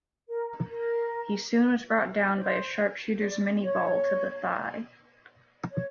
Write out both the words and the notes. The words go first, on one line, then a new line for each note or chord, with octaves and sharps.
He soon was brought down by a sharpshooter's minie ball to the thigh.
A#4
A#4
C5
D5
C#5
C#5